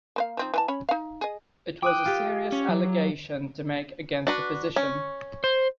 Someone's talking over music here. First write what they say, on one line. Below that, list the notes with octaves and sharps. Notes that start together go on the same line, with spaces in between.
It was a serious allegation to make against a physician.
A#3 B4 F5
F3 C4 D#4
E3 F4 A5
C#4 C#5 B5
D#4 F5
G#4 D#5
G5 D6 D#6 F#6
F4 G4
C#4
F#3
D4 F#4 B4
C#4
C5